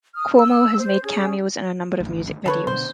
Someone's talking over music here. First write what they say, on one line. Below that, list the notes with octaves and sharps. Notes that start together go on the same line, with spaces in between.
Cuomo has made cameos in a number of music videos.
D#6 F6
E6
C5
C#4 G#4
G#1 D2
D3 A4 B4 C#5
B2 D3 C5